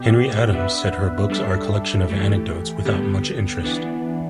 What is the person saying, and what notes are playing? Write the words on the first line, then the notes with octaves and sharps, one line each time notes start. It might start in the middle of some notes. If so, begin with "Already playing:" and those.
Henry Adams said her books are a collection of anecdotes without much interest.
Already playing: B2 B3 G4
B3 D4 B4 E5
G3 D4 A4 E5
E3 A3 G4
D3 G3 B3 G4
E3 B3 D4